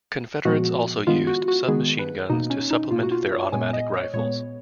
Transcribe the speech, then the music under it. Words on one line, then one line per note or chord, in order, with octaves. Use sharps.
Confederates also used submachine guns to supplement their automatic rifles.
A#2 F3 G#3 B3 F#4
D#3 G#3 B3 F4
F#4
F#4
D#3 G#3 B3 G#4
B4
B2 A#3 D#4
C#4
D#4
B2 A#3 F4
F#4
F4
C#5
A#2 G#3 B3 G#5
D#5
C#5
A#2 G#3 B3 C#5